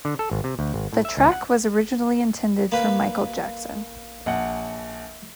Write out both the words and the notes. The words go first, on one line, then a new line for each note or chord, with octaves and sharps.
The track was originally intended for Michael Jackson.
D3
A4
G#1
C3
D2
G#1
A2
E5
C#2
F#5
A#3 B4
A#1 F#5